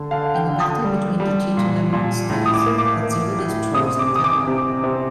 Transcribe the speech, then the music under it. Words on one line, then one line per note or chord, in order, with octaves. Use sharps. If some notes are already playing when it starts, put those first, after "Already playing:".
In a battle between the titular monsters, Godzilla destroys the tower.
Already playing: D3
D3 F5
G5
D3
D#6
G3
G3
A#2
A#2
A2
D#6
D6
A#3
D6
A#3
A2
C3 D#6
D6
C3 D#6
D6
C3
C3